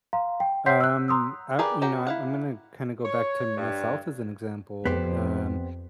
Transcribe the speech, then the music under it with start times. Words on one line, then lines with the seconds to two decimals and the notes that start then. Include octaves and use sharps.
Um, uh, you know, I'm I'm gonna, kinda, go back to myself as an example, um,
0.13 F5 A#5 C6
0.40 G5
0.66 C#5 F#5 C6 G6 B6 C7
0.81 E6 F#6
1.08 A#5 C6 D#6 E6
1.59 G4 G#4 A#4 B4 D5
1.82 C#4 F#4 G4 G5 A#5
2.07 E4 F5 F#5
3.04 C#5
3.57 G2
4.85 F2 B3 G4 C5